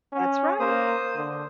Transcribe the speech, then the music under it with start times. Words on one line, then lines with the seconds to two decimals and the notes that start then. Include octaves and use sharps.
That's right.
0.12 C#4
0.60 A#3 C5 D#6
1.15 D3